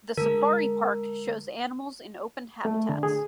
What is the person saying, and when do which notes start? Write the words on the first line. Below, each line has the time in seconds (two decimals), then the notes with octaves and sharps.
The Safari Park shows animals in open habitats.
0.17 D3 G#3 A#4
2.65 A3
2.89 D3
3.03 G#4